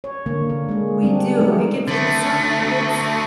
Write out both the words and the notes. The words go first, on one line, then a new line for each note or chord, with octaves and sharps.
We do. It gets in the summer, it gets,
C#5
D3 A#3
D3
G#3 A#3
G3 C4 D4
F3 F#3 G#3 A3 B3 D#4
D3 A3